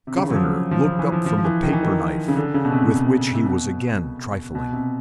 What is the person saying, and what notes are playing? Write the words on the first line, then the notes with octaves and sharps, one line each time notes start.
The governor looked up from the paper-knife with which he was again trifling.
C3
C#3
F#3
F3
F3
F3
E3
F3
F3
F3
E3
D#3
E3
D#3
C#3
D3
C#3
B2
C3
C3
B2
B2
C3